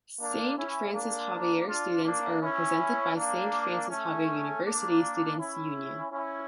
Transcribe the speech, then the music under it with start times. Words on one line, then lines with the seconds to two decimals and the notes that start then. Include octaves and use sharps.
Saint Francis Xavier students are represented by Saint Francis Xavier University Students' Union.
0.20 A#3 D4
0.57 C#4 E4
0.94 A#3 D4
1.68 D4 F4
2.05 A#3 D4
2.42 C#4 E4
3.16 A#3 D4
3.90 A3 C#4
4.64 A#3 D4
5.38 C#4 E4
6.12 C#4 E4